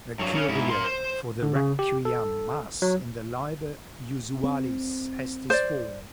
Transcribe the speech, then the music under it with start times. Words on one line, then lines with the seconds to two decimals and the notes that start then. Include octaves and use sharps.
The Kyrie for the Requiem Mass in the Liber Usualis has this form.
0.20 G2 F#3
0.35 C#3 C#4
0.48 G#2 E4
0.70 A#4 C6
0.84 C5
1.43 D3
1.56 C#3
1.79 G4
2.05 A4
2.82 F#3
4.44 C4
5.50 C5 D5